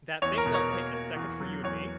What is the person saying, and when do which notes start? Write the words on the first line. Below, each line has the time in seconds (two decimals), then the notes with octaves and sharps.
that things that'll take a second for you and me,
0.22 E2 C#5
0.38 A#4
0.46 B2
0.54 C#5
0.70 A#3
0.93 A#3
1.16 E2
1.40 F#3
1.64 E2 C#5